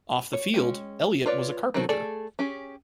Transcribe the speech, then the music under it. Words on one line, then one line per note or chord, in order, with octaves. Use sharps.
Off the field, Elliott was a carpenter.
C#5
G#3 C#4 G5
F4 B4 C#5 D5
D#3 F#3 C4 F#4 A4
A3 G#4 A4 D5
C#4 G4 G#4